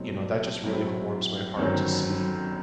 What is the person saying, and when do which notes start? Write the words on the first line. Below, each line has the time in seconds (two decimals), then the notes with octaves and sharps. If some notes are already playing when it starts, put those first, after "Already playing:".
you know, that just really h warms my heart to see
Already playing: B2 F#3 A3 C4 D#4
0.64 A2 F#3 C4 E4
1.57 G1 F#2 D#3 F#3 C4